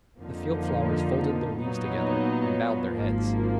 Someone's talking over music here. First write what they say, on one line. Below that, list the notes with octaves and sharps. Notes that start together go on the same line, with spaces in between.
The field-flowers folded their leaves together, and bowed their heads.
F2 D3 F3 A#3 D#4
A#2 F#3 B3 D#4
G#1 G#2 F3 A#3